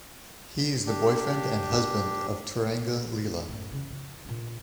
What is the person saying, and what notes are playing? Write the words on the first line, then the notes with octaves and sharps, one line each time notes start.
He is the boyfriend and husband of Turanga Leela.
D4 G4
E2
F#2 A2
C#3 E3
F2
A#2 D4